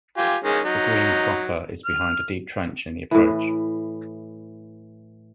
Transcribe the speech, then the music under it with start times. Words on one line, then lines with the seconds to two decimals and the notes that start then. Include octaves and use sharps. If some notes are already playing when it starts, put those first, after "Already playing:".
The green proper is behind a deep trench in the approach.
0.18 F4 G4 G#5
0.44 D#3 G#3 C#4
0.65 F#3 D#4
1.86 F6
3.11 A2 E3